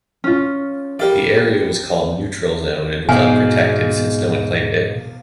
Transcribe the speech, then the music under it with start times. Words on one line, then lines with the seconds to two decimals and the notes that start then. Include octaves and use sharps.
The area was called 'neutral zone' and was unprotected since no one claimed it.
0.24 C#4 F4
0.99 G3 G4 A#4 D5 F5
3.09 G#2 B2 F5 G#5